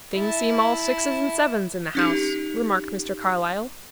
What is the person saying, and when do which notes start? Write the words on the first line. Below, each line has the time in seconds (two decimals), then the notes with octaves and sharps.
"Things seem all sixes and sevens in the house," remarked Mr. Carlyle.
0.14 E4 A5
1.95 C#4 D#4 G4